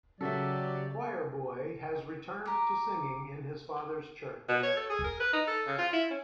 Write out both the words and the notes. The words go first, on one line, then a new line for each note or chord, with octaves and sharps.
Choir Boy has returned to singing in his father's church.
C#3 F#3 G4 A4 D5 E5
G4 A#5
B2
C#5
A4
G#4
A#4
B4
D#4
A4
C#3
F4
E4
C#4